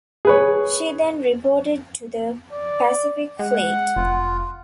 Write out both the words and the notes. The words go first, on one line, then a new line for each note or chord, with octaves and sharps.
She then reported to the Pacific Fleet.
G#4 B4 C#5
D5
G#3 F#5
F1 F4